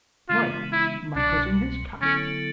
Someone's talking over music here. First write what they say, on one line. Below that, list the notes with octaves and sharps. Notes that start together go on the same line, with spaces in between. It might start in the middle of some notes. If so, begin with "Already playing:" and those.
"Why, Monk was in his camp."
C#3 E3 G#3 B3 D4 F4
E4
C2 B2 F#3 D4
D3 F#3 B3 C#4 E4 A4